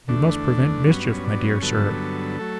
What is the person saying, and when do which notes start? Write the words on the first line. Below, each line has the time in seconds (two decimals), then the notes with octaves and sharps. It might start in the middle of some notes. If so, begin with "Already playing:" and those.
You must prevent mischief, my dear Sir.
0.08 E2 D3 A3 D4
0.85 G2 F#3 B3 C#4
1.04 C#4
1.24 D4
1.43 C#4
1.62 G2 D3 F#3 B3 A4
2.39 F#3 A3